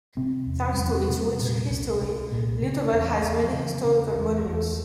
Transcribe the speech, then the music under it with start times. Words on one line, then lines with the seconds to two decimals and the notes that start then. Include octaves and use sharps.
Thanks to its rich history Litovel has many historical monuments.
0.17 C3 C4
0.47 E2
0.73 G3
0.78 E2 F3
0.98 G3
1.09 C3
1.19 G3
1.39 A#2 G3
1.69 C2
2.00 C2
2.32 A#2
2.62 C#3
2.92 E2
3.23 E2
3.42 F3
3.53 C#3 E3
3.84 C#3
4.15 E2
4.46 E2